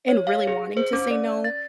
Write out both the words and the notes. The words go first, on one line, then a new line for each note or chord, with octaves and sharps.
and really wanting to say "no,"
C#5
F5
G#4
C5
C#4
D5
A6